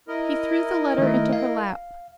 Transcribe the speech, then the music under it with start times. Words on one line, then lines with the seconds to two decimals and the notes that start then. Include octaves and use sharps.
He threw the letter into her lap.
0.08 E4 A#4 D#5
0.98 D#3 A3
1.33 F5